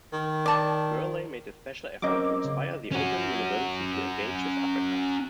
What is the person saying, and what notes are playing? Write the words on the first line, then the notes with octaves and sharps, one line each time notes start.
Gourley made a special effort to inspire the Open University to engage with Africa.
D#3
D5 A5
F#3 A#3 C4 C#4 D#5 D6
C#3
C#4 F#4